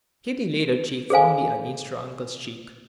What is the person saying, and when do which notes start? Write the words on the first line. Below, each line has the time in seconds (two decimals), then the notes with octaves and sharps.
Kitty laid her cheek fondly against her uncle's cheek.
1.10 G#4 A4 C5 F5 G#5